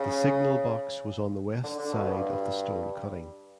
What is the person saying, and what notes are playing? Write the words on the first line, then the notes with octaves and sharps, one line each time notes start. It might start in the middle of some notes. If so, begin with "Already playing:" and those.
The signal box was on the west side of the stone cutting.
Already playing: C#3
D3
D3
B2
G2